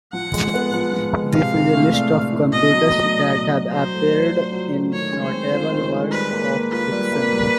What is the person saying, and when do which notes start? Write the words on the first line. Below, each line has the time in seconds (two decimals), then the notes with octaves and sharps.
This is a list of computers that have appeared in notable works of fiction.
0.13 F3 F#5
0.33 G#3
0.54 B3
0.73 F3
0.93 F3
1.13 G#3
1.33 C3 F5
1.53 E3
1.73 A3
1.93 D4
2.13 C3
2.33 E3
2.52 B2 D#5
2.73 F#3
2.93 A3
3.13 D4
3.33 B2
3.52 F#3
3.73 F#3 C5
3.93 A3
4.12 D4
4.32 F4
4.52 F#3
4.73 A3
4.93 D#3 C#5
5.12 G#3
5.22 C5
5.32 C4
5.52 F4
5.73 D#3
5.92 G#3
6.12 G3 B4
6.32 A#3
6.52 D4
6.72 F4 B4
6.91 G3
7.12 A#3
7.32 G3